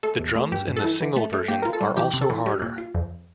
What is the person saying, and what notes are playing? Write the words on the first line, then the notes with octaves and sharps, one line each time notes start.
The drums in the single version are also harder.
A3 A4
E2
A3
G2 G4
G2
A4
E3
E3
A3
A3
A#3 G4
F4 A#4
A4
G3
E3 G4
C3
A4
E3
G3
A#2
F4
F2